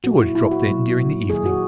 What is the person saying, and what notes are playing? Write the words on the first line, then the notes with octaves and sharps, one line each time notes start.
George dropped in during the evening.
A#2 F#3 A#3 F#4
E4
E4
F#4
A#2 F#3 A#3
D#3 F#3 A#3 G#4
F#4